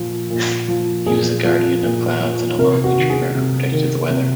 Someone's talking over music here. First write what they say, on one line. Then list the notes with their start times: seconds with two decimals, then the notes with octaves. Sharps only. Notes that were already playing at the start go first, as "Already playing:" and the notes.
He was a guardian of clouds and a lonely dreamer who predicted the weather.
Already playing: A#2 F3
0.30 A#2
0.68 F3
1.06 A#2 G#4
1.44 F3
1.83 A#2
2.20 F3
2.58 C3 A#4
2.84 F#4
2.97 D#3
3.10 G#4
3.35 C3
3.72 D#3
4.10 C3